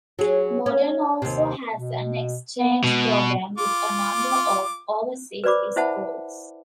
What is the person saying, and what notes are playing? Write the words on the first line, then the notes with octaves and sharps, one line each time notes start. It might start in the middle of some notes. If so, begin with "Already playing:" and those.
Modern also has an exchange program with a number of overseas schools.
F#3 G#4
C#4
D#2 C3
B2
B3
B2 G#3
F4 D6
B4 C5 D5 B5 D6
E4 C5 E5 F#5 A5 B5